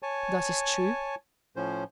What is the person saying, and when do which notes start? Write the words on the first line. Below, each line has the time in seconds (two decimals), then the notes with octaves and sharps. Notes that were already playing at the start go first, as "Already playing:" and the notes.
"That is true."
0.03 C#5 G#5 A5
1.56 A2 F3 C#4 C5